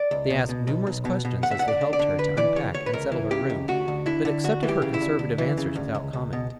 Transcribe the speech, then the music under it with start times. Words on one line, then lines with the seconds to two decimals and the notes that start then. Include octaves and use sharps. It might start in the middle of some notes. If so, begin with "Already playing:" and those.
They asked numerous questions as they helped her to unpack and settle her room, but accepted her conservative answers without comment.
Already playing: D5
0.11 C#2
0.30 B2
0.49 B2
0.67 B1
0.87 B1
1.05 B2
1.25 B2
1.43 D2 F#5
1.51 E5
1.59 D2 F#5
1.68 D5
1.81 D3
1.93 D5
1.99 D3
2.18 D2 B4
2.37 E3 D5
2.56 C#3 C#5
2.74 D2 C#5
2.86 B4
2.93 C#2 A#4
3.12 E3
3.31 C#3 G4
3.50 C#2
3.68 D2 F#4
3.88 D2
4.06 D3 E4
4.25 D3
4.44 D2 F#4
4.63 E3
4.69 G4
4.82 C#3
4.94 E4
5.00 D2
5.19 D2
5.38 E3
5.57 C#3
5.75 D2
5.95 C#2
6.13 C#2
6.33 B2